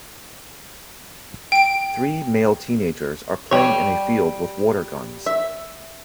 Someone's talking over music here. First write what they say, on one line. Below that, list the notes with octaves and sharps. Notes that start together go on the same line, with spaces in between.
Three male teenagers are playing in a field with water guns.
G5 D7
G3 C#5
E5